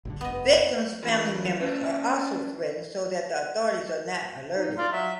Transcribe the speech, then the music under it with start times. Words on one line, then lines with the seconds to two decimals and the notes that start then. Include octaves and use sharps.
Victims’ family members are also threatened so that the authorities are not alerted.
0.05 A#1 G2 D3
0.21 F1 B3 D#5
1.03 E3 F4 A#4
1.60 C#4 D4 C5
4.56 D#4
4.78 F4 D5
4.92 F#3 E5